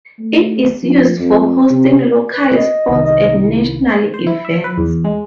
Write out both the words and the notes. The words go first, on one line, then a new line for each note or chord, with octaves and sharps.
It is used for hosting local sports and national events.
A3
F3
F2
C3
B4
D#5
C2 D#3
D#5
E4
C5
E4
E5
B4
E2
G#3